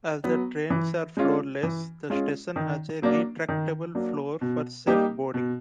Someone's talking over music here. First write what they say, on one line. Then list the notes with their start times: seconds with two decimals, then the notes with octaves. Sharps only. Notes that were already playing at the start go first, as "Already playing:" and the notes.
As the trains are floorless, the station has a retractable floor for safe boarding.
0.24 F#3 B3
0.70 E3
1.17 G#3 C#4 F4
1.63 E3
2.10 G#3 C#4 F4
2.56 D#3
3.02 F#3 A#3 D4
3.49 D#3
3.95 F#3 A#3 D4
4.41 B2
4.87 G3 A#3 D#4 G4
5.34 B2